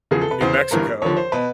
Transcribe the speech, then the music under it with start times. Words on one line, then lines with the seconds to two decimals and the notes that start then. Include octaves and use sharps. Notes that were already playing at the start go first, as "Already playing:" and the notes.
New Mexico
0.11 E2 C#3 F3 G#4
0.21 A4
0.31 B4
0.41 E2 C#3 E3 C5
0.71 G1 G2 E3 A#4
1.02 D#2 D3 F3 C#5
1.17 C5
1.32 B2 B4